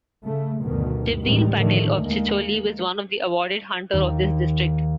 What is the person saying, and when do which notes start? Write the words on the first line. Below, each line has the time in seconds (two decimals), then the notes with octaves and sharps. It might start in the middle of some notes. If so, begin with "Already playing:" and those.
Shivdeen Patel of Chicholi Was one of the awarded Hunter of this district.
0.24 C#3 A3
0.62 D2 G2 B2 D#3
1.23 A2 C3 D#3 E3 G3 G#3
1.54 A2 D3 D#3 F3 A3
1.99 D#2 G#3 A#3
3.93 D#2